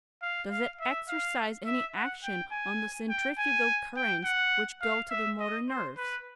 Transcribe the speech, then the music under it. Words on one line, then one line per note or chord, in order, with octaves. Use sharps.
Does it exercise any action on the centrifugal currents which go to the motor nerves?
F5
F5
E5
F5
E5
F#5
G5
G#5
G5
G#5
G5
F#5
F5
E5
D#5
C5
B4